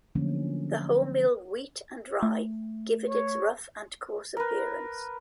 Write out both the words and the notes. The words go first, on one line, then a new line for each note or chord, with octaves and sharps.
The wholemeal wheat and rye give it its rough and coarse appearance.
D3 F3 F#3 A3 A#3 C#4
A3
C#5
A#4 B4